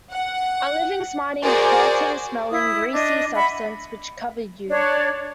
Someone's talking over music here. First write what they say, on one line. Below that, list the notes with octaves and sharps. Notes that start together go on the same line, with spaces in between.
A living, smarting, hurting, smelling, greasy substance which covered you.
F#5
F#4 G#4 A#4 C5 D5
E4 D#6
D4 D#5
E5 F#5 B5
D4 C#5